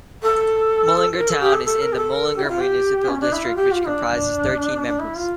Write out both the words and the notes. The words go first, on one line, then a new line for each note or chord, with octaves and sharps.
Mullingar town is in the Mullingar Municipal District which comprises thirteen members.
A4
A#4
A4
G4
A4
A4
A#4
G4
A4
A#4
A4
G4
E4
F4
G4
C#4
D4
E4
F4
G4
F4
D4
D4
E4
F4